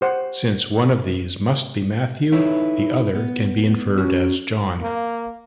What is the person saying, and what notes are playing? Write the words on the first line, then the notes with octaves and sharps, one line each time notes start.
Since one of these must be Matthew, the other can be inferred as John.
G4 C5 F#5
D#4 E4 A4 B4 C#5 E5
B3
C#4 F#4
A#3